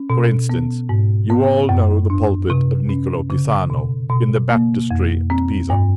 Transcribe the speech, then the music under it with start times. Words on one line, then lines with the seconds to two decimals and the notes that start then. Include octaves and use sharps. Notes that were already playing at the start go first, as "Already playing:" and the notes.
For instance: you all know the pulpit of Niccolo Pisano, in the baptistry at Pisa.
Already playing: C#4
0.10 B2
0.49 B3
0.89 G#2
1.30 B3
1.69 F#2
2.10 D4
2.50 C3
2.89 C#4
3.30 C#3
3.70 B2
4.10 B2
4.50 A#3
4.91 F2
5.30 C4
5.70 G2